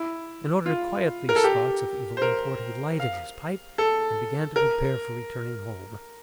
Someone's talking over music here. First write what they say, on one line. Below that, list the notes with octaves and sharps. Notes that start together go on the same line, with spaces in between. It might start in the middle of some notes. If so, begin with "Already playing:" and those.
In order to quiet these thoughts of evil import, he lighted his pipe and began to prepare for returning home.
Already playing: E4
F4
A#4
A4
G4
C5
A#4
F5
A4
A#4